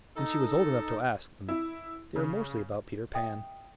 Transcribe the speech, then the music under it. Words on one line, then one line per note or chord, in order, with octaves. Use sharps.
When she was old enough to ask them they were mostly about Peter Pan.
D#4 A4
E4
C#3
D#5 E5 G5 D#6